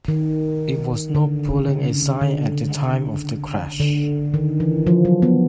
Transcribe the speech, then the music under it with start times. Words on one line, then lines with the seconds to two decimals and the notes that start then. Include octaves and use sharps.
It was not pulling a sign at the time of the crash.
0.08 D#3
1.15 D3
1.68 C#3
2.03 D3
2.21 D3
3.80 D3
4.34 D#3
4.60 E3
4.87 F3
5.05 F#3
5.22 B3